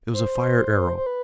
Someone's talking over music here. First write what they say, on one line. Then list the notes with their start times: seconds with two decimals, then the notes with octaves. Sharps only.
It was a fire-arrow.
0.13 C5
0.97 C5
1.06 B4